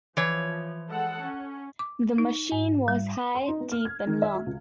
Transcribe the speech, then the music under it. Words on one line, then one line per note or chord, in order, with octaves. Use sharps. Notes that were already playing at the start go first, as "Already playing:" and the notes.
The machine was high, deep and long.
E3 F3 C#5
G#3 A4 F#5
C#4
D6
D#4
G#2
G3
C6
D#4
B3
F6
G#6
D#3
E5
F#4
C#2